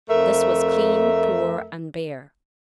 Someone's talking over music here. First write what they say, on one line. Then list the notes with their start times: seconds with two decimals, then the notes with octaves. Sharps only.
This was clean, poor, and bare.
0.09 F2 A3 A#4 E5